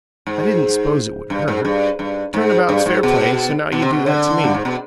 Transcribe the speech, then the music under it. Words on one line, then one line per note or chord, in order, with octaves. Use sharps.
"I didn't s'pose it would hurt. Turn about's fair play; so now you do that to me."
G#2
G2
G#2
G2
G2
G#2
G2
G#2
B2
B2
C3
B2
D3
G2
G#2
B2